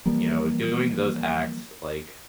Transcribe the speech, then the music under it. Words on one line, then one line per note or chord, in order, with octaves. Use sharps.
you know, doing those acts, like
E3 F3 G3 A#3